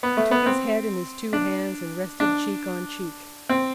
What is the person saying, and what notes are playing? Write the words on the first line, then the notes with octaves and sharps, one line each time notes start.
He took his head in his two hands and rested cheek on cheek.
B3
A3
B3
C4
D4
D4
C4